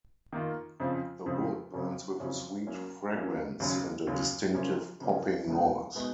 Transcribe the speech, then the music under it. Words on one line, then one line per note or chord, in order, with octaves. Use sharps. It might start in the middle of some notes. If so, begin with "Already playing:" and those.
The wood burns with a sweet fragrance and a distinctive popping noise.
D#3 A#3 F4
F2 C#3 F3
F2 C#3 F3
F2 C#3 F#3 C#4
F2 C#3 F#3 C#4
F#3 A#3 C#4
F#3 A#3 C#4
D#2 C#3 F#3 C#4
D#2 C#3 F#3 C#4
C#3 F3 A#3 C#4
C#3 F3 A#3 C#4
C#2 B2 G#3 B3 D#4
B2 G#3 B3 D#4